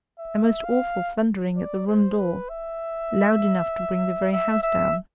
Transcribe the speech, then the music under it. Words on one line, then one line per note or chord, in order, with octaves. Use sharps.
A most awful thundering at the room door--loud enough to bring the very house down.
E5
F5
D5
C5
B4
E5
E5
E5